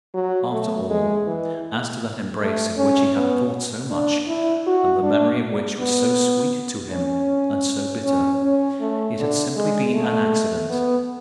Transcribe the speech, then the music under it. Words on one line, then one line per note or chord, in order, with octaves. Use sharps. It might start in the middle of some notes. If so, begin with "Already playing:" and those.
After all, as to that embrace of which he had thought so much, and the memory of which was so sweet to him and so bitter--it had simply been an accident.
F#3
A3
G#3
E3
A3
C#4
B3
D4
E4
F#4
D4
B3
C#4
C#4
C#4
A3
D3
G#3
A3
B3